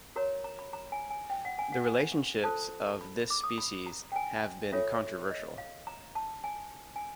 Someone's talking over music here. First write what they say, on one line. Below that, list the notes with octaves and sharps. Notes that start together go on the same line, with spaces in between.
The relationships of this species have been controversial.
F#4 A#4 C#5 A#5
A#5
B5
A#5
G#5
G#5
G5
F#5
G#5
F#5
G#5
F4 A4 C5 A5
B5
D6
D#6
B5
A#5
G5
G#5
F4 A4 C#5 E5
D#5
F5
A#5
A5
G#5
G#5